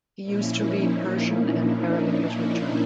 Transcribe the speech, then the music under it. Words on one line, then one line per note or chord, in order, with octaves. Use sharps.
He used to read Persian and Arabic literature.
A#2 F3 A#3 C#4 E4
D#4
D#4
D4